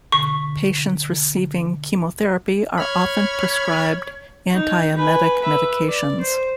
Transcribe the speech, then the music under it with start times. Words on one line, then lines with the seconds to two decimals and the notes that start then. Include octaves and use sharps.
Patients receiving chemotherapy are often prescribed antiemetic medications.
0.12 B2 D3 C#6 B6
2.78 C#5 B5 F6 G#6
4.53 D#4
4.95 B4 G#5
5.41 B4 E5
5.87 D5
6.20 C5